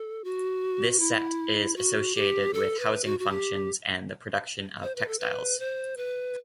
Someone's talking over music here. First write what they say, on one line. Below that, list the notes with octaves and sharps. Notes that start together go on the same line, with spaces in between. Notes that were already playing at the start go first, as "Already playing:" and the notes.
This set is associated with housing functions and the production of textiles.
Already playing: A4
F#4
E4
F#4
G4
A4
B4
F#4
F#4
G4
C5
B4
A4
B4
C5
B4